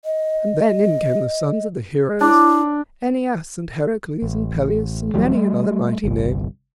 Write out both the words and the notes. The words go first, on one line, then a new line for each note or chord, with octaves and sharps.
And then in came the sons of the heroes, AEneas, and Heracles, and Peleus, and many another mighty name.
D#5
D4 E4
A1
E1 E2 F#3 G3
G3 A3
G1 C2